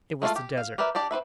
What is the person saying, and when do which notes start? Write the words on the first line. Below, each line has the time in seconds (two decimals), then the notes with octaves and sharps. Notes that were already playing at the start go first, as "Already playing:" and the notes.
It was the Desert!
0.22 G#3 A3 C#4 F4 A4
0.36 G4
0.58 F5
0.78 G4 A#4 B4 D5 E5
0.95 D4 G4 D5 A5
1.11 C4 F#4 B4 E5